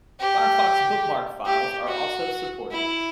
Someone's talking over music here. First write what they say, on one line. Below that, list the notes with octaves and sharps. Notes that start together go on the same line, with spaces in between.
Firefox bookmark files are also supported.
G4
G4
F#4
E4